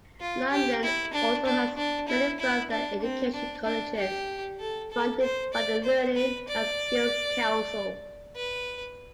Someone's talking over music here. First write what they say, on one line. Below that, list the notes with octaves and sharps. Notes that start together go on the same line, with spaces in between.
London also has many further education colleges funded by the Learning and Skills Council.
F4
G4
E4
D4
D4
D4
E4
E4
D4
C4
D4
D4
G4
A4
A4
C5
D5
C5
B4
D5
B4